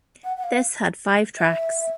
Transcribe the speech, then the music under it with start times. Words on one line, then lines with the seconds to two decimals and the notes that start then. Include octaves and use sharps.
This had five tracks.
0.24 F#5
0.37 F#5
0.44 F5
1.38 E5